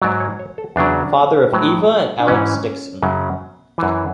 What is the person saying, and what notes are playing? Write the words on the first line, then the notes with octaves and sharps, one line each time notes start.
Father of Ava and Alex Dickson.
G#2 F#3 D5
C#5
C#5
A4
E2 C#3 F#3 D4
A2 F#3
D4
G#2 E3 C#4
F#2 C#3 F#3
F#2 E3